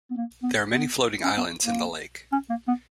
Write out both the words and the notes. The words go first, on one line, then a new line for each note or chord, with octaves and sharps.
There are many floating islands in the lake.
B3
A#3
B3
B3
C#4
B3
A#3
C#4
A#3
B3